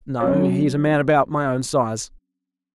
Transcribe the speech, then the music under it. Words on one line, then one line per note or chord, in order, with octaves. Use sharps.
"No, he is a man about my own size."
F#3 C4 C#4 F#4 C#5